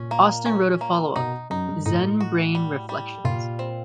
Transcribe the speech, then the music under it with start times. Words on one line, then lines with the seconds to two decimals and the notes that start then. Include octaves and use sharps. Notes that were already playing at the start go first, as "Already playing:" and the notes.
Austin wrote a follow-up, "Zen-Brain Reflections".
Already playing: A#2 C#4
0.11 A#3
0.46 C#4
0.81 A#3
1.16 B2 D#4
1.50 F#2 D#4
1.68 G2
1.86 A2 D#4
2.21 F#4
2.55 G3
2.89 G3
3.24 A#2 F4
3.59 C4